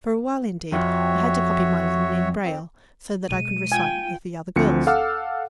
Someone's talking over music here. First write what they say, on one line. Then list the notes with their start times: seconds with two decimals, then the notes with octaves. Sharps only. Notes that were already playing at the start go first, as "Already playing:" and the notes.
For a while, indeed, I had to copy my Latin in braille, so that I could recite with the other girls.
0.72 F2 F#4 C#5 E5
2.45 F2 C4
3.29 B2 G#3 D#7
3.72 F4 G5 G#5
4.56 D2 F3 C4 C#7
4.87 A4 F5 F#5 D6 E6 F6